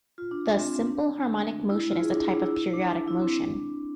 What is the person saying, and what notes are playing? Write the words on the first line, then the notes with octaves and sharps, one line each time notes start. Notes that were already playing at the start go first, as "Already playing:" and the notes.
Thus simple harmonic motion is a type of periodic motion.
F4
D4
D4
C4
C4
D4
E4
E4
F4
G#4
D4
D4
D4
E4
D4
E4
C4
D4